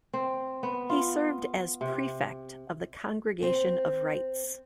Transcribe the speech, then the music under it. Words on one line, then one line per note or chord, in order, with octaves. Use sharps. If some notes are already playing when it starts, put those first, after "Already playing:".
He served as Prefect of the Congregation of Rites.
C4
B3
F4
C3
C4